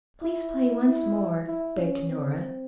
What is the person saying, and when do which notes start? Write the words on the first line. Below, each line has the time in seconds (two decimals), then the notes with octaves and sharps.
"Please play once more," begged Nora.
0.22 E4
0.85 E4
1.47 E4
1.78 C#4
2.09 C4